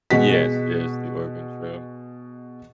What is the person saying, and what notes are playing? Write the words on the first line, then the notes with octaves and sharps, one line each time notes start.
Yes, yes. The Oregon Trail.
B2 G#3 F#4 B6